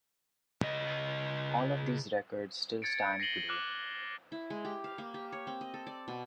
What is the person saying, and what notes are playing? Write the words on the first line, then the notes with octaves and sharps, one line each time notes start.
All of these records still stand today.
C#3 D#5
G#6 A6 C#7 D7
A#6 C7 D#7 F#7 G7
D6 F6 F#6
E4
G#3
G4
F5
A#3
G4
C#5
C4
D#5
A4
D5
B2